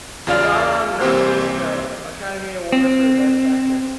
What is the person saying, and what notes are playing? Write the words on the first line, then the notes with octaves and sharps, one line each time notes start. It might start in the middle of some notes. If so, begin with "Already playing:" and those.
Sullavan was nominated for the Academy Award for Best Actress.
E2 C#3 F4 D5 F5 F6
C2 E3 A#3 C4 G4 C5
C4